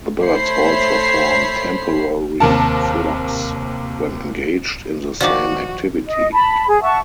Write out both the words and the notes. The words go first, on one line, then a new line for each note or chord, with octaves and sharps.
The birds also form temporary flocks when engaged in the same activity.
A3 C5 C#5 B5 C7
D#2 C3 A#4 A5
D#3 F3 F#4 D5 D6
D#5
A5 B5
G#4
E5 F#5 A5 C#6